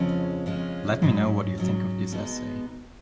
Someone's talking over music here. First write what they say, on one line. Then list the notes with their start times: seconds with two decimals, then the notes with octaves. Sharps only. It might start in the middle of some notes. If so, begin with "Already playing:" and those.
Let me know what you think of this essay.
Already playing: F2 C#3 G#3 C#4 F4
0.46 F2 C#3 G#3 C#4 F4
1.02 G#2 F#3 C#4
1.58 G#2 F#3 C#4
2.12 B2 G#3 B3 D#4